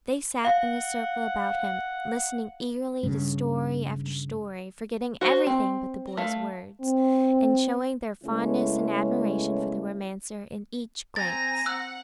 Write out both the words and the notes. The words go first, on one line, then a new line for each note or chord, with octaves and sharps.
They sat in a circle about him, listening eagerly to story after story, forgetting everything but the boy's words, and showing their fondness and admiration for the romancer in each glance.
F5 F#5
G2 C#3
F#4 C5
C4
A3 F5
C4
C#3 G#3 A3 B3 C#4 E4
C4 G#5 A#5 A6 A#6
F#5 E6 F#6